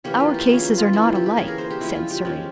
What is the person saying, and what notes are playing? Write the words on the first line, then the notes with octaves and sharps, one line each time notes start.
"Our cases are not alike," said Surrey.
E3 A#3 C#4 G4
F4
G4
E3 A#3 C#4 G#4
G4
F4
E3 A#3 C#4 E4
F4
G4
G4
E3 A#3 C#4 G#4
A#4
C5
G4
F3 G#3 C#4 E4
F4
G4
F3 G#3 C#4